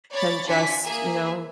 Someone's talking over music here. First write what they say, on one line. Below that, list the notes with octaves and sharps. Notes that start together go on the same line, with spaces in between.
can just, you know,
C#5 D5 B5 A6
D4 F4 D5 G#5 B6 C#7
A#3 G#4 E5